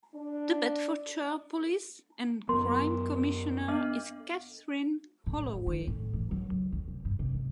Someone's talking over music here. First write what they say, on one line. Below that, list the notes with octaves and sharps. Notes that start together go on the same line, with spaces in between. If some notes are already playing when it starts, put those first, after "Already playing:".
The Bedfordshire Police and Crime Commissioner is Kathryn Holloway.
D4
F#2 F#3 B3 A#4 C6
B3 D4 D#5
A2
D3
D#3
A2
E3
F#3
C#2
D2
C3
G2
C3
G#1